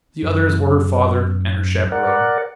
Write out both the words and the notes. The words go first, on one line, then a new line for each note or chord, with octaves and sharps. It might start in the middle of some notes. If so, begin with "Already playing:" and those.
The others were her father and her chaperone.
F#2
A#4 D5 F#5